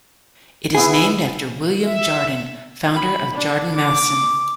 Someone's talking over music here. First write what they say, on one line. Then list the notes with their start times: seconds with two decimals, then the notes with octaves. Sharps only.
It is named after William Jardine, founder of Jardine Matheson.
0.75 E3 B3 E4 G#4
1.85 E5
2.94 B5
3.34 D4
3.75 D6